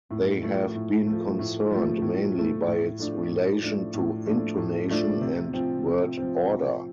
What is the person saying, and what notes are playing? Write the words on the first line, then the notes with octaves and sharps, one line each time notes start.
They have been concerned mainly by its relation to intonation and word-order.
A2
F3 A3
A2
F3 A3
A2
F3 A3
A2
F3 A3
A2
F3 A3 D4
A2
F3 A3 D4
A2
F3 A3 D4
A2
F3 A3 D4
C3
F3 C4
C3
F3 C4
C3